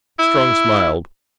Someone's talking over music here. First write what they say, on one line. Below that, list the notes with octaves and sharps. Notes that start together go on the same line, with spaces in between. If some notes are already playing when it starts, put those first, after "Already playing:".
Strong smiled.
E4